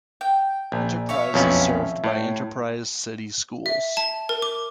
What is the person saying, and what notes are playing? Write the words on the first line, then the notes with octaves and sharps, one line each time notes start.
Enterprise is served by Enterprise City Schools.
G5
A#1
C#5 E5 F5
B1 F2 C#4
A2
E5
A5
A#4
D6